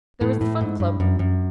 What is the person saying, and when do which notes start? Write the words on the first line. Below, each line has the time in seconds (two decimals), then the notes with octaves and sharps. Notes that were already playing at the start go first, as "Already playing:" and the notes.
There was the Fun Club.
0.21 A2
0.41 A2
0.61 G#2
0.80 G2
1.00 F#2
1.19 F#2